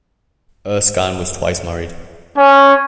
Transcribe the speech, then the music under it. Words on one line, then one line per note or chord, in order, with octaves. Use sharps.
Erskine was twice married.
C#4